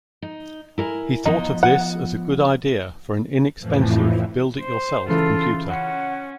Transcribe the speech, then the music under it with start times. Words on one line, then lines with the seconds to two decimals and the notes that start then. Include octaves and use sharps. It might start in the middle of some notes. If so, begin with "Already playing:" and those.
He thought of this as a good idea for an inexpensive, "build-it-yourself" computer.
0.22 D#4
0.78 E4 A#4 G#5
1.26 F3 B3 D#4 D#5
1.63 F#5
3.60 F2 A2 E3 F3
4.61 C5
5.08 C#3 E3 F4 A4
5.69 C#4 F#5